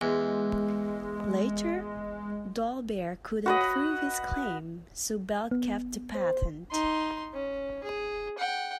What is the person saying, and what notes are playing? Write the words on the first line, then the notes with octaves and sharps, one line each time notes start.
Later, Dolbear couldn't prove his claim, so Bell kept the patent.
E2 G#3
F#4 B4 D#5
B3
C5
D#4 C6
C#4
G#4
F#5 G5